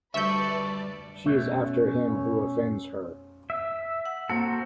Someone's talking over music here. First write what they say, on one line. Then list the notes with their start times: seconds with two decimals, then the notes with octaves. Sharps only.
She is after him who offends her.
0.14 D2 G3 B4 D5 E5 A5 C#6 G6
1.26 B2 A3 C#4
3.50 E5
4.06 F#5
4.30 A#3 C4 F#4 A4